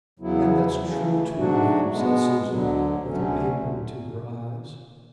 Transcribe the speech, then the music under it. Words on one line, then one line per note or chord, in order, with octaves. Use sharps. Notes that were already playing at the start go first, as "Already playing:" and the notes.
'And that's true too, ma'am,' said Susan, with her apron to her eyes.
E2 C#3 F#3 B3 E4
C#3 E3 A3
G#2 F#3 A3 D4 F#4
B2 G#3 B3
D2 D3 F#3
D2 D3 F#3 A3 C#4